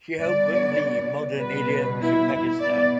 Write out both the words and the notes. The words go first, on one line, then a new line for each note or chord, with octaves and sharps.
She helped bring the modern idiom to Pakistan.
D3 G3 B3 D5
B2 G3 B3 B4
E4
B2 B3 D5